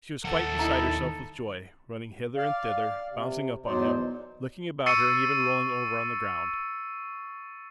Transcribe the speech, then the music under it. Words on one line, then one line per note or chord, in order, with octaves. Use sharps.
She was quite beside herself with joy, running hither and thither, bouncing up on him, looking about her and even rolling over on the ground.
D#2 A4 F#5
D#4 E4 E5 A#5
D5 F5
C3
E2 B2 F#3 D#4 C5 D5
C#6 E6 A6 C7 C#7 D#7